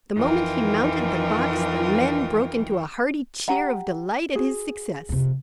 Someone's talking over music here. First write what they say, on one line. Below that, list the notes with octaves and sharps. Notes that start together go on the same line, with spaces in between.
The moment he mounted the box, the men broke into a hearty cheer of delight at his success.
F2 E3 D#4 F4 A#4 G5
G4 F#5 A#5
F#4 G#4
F2 C3